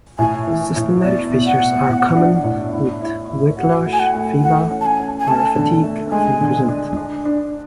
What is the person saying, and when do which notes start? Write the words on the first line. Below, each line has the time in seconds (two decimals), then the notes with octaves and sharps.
Systemic features are common, with weight loss, fever, or fatigue often present.
0.19 A2 G#5
0.47 E3
0.76 A2
1.04 B2 D5
1.32 B2
1.47 F#5
1.61 B2
1.89 A2
2.17 D4
2.44 A2
2.72 E4
3.01 E4
3.29 E4
3.58 F#4 F#5
3.86 A3
3.93 G#5
4.00 F#5
4.14 A3
4.43 E3 F#5
4.70 C#4
4.81 A5
4.86 G#5
5.00 C#4
5.20 G#5
5.27 A3 A5
5.56 D3
5.83 A3
6.12 G#3 G#5
6.41 D3
6.68 D4
6.97 D4
7.25 D4